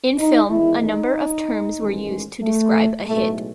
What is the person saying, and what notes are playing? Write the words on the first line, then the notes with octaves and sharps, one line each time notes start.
In film, a number of terms were used to describe a hit.
D#4
E2 D#3 G#3 E4
D#4
A1 G#2 D#3 G#3
A3
B1 A2 G#3 A3